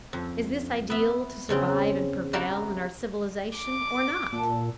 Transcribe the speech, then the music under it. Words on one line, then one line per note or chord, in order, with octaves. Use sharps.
Is this ideal to survive and prevail in our civilization or not?
F2
B3 E5
E2 C#3 C4
E4 F#4 G4 A#4 A5
D6
A#2 A4 F#5